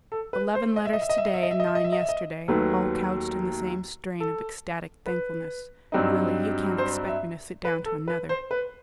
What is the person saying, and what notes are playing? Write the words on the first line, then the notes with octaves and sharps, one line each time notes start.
Eleven letters to-day and nine yesterday, all couched in the same strain of ecstatic thankfulness: really, you can’t expect me to sit down to another.
A4
B4
C5
D#5
E5
D#5
E5
D#5
E5
D#5
E5
D#5
E5
D#5
E5
D#5
E5
D#5
E5
D#5
D#2 D#3 F#3 A3 B4
A4
B4
G2 F#3 C4 D#4
C5
E5
B4
A4
B4
C5
B4